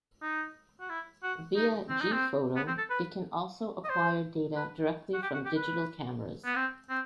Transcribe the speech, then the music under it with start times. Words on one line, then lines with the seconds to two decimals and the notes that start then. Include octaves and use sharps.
Via gPhoto it can also acquire data directly from digital cameras.
0.22 D#4
0.80 F#4
0.90 E4
1.23 F#4
1.56 D#4
1.89 C4
2.01 D#4
2.12 C4
2.56 B3
2.67 C4
2.78 A4
2.90 B4
3.84 D#5
3.90 C5
4.56 B4
5.14 F#4
5.22 G4
5.34 F#4
5.45 G4
5.56 B4
6.45 B3
6.56 C4
6.90 C4